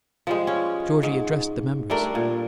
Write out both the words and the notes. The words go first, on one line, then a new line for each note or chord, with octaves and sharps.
Georgie addressed the members.
F3 G3 G#3
C#4
G#2
G3 A3 D4 A#4
A#2